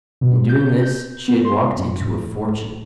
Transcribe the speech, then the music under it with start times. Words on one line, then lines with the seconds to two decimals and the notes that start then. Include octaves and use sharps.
In doing this she had walked into a fortune.
0.21 B2
0.49 G6
0.83 G6
1.28 B3
1.45 C6
1.77 F#2
2.01 A2